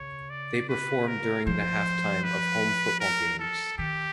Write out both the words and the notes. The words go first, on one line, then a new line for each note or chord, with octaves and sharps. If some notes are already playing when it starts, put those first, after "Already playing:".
They perform during the halftime of home football games.
Already playing: C#3 C#5
D5
B4
A#4
F3 C5
B4
A#4
A4
D#3 G4